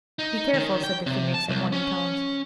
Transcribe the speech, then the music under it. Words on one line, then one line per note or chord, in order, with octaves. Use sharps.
Be careful,' said the Phoenix, in warning tones.
D#4
D#3
G5
C3
A5
C2
C#4